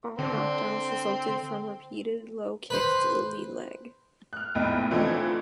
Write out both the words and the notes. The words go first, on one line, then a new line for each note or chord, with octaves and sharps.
All knockdowns resulted from repeated low kicks to the lead leg.
D3 C4
B4 C5
F6 F#6
F1 A#1 E2 A2 D#4 G5
D3 E3 F3 A3 C4 D#4